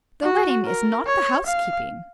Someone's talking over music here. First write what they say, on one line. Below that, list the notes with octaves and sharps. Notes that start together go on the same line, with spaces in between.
The wedding is not the housekeeping.
F#4
A#4
C#5
F5